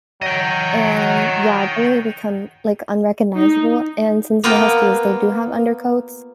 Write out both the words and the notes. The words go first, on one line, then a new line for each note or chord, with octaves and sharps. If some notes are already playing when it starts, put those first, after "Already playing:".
and yeah, they become, like, unrecognizable, and since my huskies, they do have undercoats,
F#3 D#5 G5
D#4
A#3 B3 F4 A#4 B4 G5